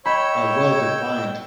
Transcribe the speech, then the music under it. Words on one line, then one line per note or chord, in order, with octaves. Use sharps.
uh, well-defined,
C#5 D#5 G5 B5 E6